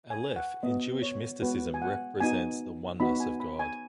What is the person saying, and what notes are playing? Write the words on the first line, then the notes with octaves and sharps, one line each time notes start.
Aleph, in Jewish mysticism, represents the oneness of God.
G#5
F#5
B3 F#4 D#5
C#5
G#3 B3 F#4 B4
G#5
F#5
B3 D#4 F#4 G#5
B3 D#4 F#4 B5
G#5
B5
G#5